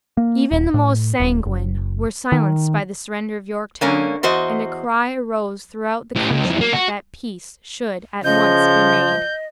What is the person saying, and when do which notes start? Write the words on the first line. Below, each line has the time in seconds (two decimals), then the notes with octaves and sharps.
Even the most sanguine were silenced by the surrender of Yorktown, and a cry arose throughout the country that peace should at once be made.
0.17 A#3
0.51 D#1
0.74 A2
1.20 D#1
1.45 F#1
2.32 D#3
3.81 D3 A#3 C#4
4.23 E2 F#4 C5 D#5
6.15 A2 G4
6.30 C#2
6.46 F2 E3
6.61 A#3
6.73 F#4
8.24 C#3 F3 D#5 G6